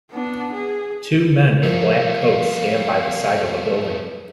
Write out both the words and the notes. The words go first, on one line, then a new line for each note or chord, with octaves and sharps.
Two men in black coats stand by the side of a building.
B3 D4
G#4
F3 G3 A3 A#4 F5